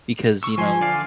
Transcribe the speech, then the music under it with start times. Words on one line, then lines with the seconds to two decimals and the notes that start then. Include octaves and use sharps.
Because, you know,
0.43 C#6 E6
0.58 F3 G#5 C6
0.80 D3 D5 F5